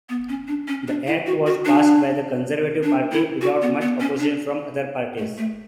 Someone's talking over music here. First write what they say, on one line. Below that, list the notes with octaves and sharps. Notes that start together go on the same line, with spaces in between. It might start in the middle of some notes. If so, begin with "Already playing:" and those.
The act was passed by the Conservative Party without much opposition from other parties.
B3
C#4
D4
C#4
D4
E4
F#4
F#4
D4
D4
E4
F#4
B3
B3
C#4
D4
A3
A3